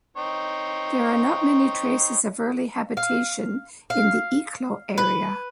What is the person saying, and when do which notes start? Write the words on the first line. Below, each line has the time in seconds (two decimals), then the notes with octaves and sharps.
There are not many traces of early habitation in the Eeklo area.
0.17 C4 D#4 C#5
2.97 F5
3.90 F5
4.98 B4